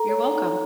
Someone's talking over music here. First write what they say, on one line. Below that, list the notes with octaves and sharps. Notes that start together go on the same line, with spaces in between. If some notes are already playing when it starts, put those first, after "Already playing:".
You're welcome.
Already playing: A4 A#5
C#5
D#4